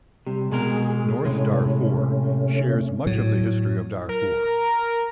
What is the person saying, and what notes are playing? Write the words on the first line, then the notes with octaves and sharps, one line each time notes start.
North Darfur shares much of the history of Darfur.
C3 G3
B2 G#3 G#4 A#4
A2 C3 G#3 A3 C#4
A2 F#3
A#4